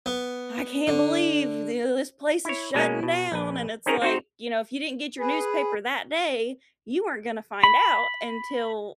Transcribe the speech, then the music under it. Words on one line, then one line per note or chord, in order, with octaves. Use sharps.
I can't believe this place is shutting down," and it's like, you know, if you didn't get your newspaper that day, you weren't gonna find out until
B3
D3
E4 C#5
B2 G#3 A#3 C#4
B2
A#1 B4
C4 C#4 D#4 G#4 A#4 C#5
C4 D#4 F#4 C5
G#4 B4
B5